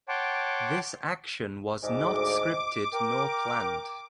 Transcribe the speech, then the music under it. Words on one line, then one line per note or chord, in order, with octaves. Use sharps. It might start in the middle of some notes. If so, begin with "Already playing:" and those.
This action was not scripted nor planned.
C#5 F#5 G5 A5 C6 D6
D2 G#2 D6
A#4 G5